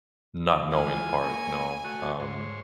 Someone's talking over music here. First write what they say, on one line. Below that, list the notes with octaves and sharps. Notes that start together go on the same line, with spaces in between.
not knowing part, you know? Um,
E3 G#3 F4 G#5
A#3 C#6
A3 F#4 C#6
G#2 C5 C#5